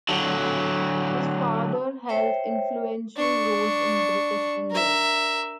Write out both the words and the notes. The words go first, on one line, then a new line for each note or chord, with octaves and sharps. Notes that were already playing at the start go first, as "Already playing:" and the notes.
His father held influential roles in British India.
D3 F#3
C5 C#5 E5 G5
D4 C#6
A#4 E5